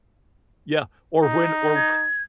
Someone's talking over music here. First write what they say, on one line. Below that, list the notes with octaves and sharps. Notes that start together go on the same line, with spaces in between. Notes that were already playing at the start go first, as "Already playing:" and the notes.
yeah, or when or
D#4
G#6